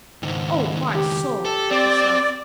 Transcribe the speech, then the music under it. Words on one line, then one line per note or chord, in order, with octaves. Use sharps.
"O! my soul!" she said.
C#2 G#2 D#3
G4
A4
C4 D5